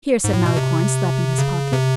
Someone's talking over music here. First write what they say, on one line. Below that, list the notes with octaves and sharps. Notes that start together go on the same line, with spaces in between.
"Here," said Malicorne, slapping his pocket.
G#2
A2
B2
C3
C#3
C3